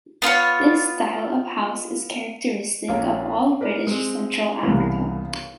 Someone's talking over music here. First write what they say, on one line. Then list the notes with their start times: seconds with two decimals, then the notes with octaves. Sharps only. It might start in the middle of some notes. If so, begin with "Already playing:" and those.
This style of house is characteristic of all British Central Africa.
0.22 B3 F4 C5 C#5
2.88 A#1 A#3 C#4 F5
3.61 A#4 B4 D5
3.87 G#3 C4
4.63 C2 C#3 E3 A#3 B3